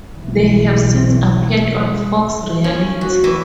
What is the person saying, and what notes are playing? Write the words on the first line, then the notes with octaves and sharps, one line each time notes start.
They have since appeared on Fox Reality.
B1 E3
C#4
F#4
E3